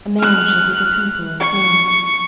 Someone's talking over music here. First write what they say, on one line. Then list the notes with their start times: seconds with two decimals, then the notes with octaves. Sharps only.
A man shall be the Temple of Fame.
0.20 F6 F#6
1.40 C#6